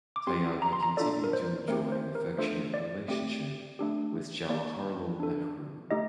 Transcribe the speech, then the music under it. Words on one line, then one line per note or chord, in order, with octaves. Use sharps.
Tyagi continued to enjoy an affectionate relationship with Jawaharlal Nehru.
D6
C4 G4 C6
A#5
C6
A#5
D4 F4 A4 D5
A#4
C5
A3 C4 G4 A#4
C5
A#4
A3 D4 F4 A4 C5
D5
A3 C4 G4
A3 D4 G4
A#3 D#4 G4 D5
D4 A4
A3 D#4 G4 D#5